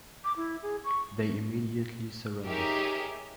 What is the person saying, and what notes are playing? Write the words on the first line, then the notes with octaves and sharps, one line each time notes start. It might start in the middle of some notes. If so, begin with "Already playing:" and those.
They immediately surrendered.
D6
E4
G#4
C#6
D#4 G4 G#4 A#4 C#5 E5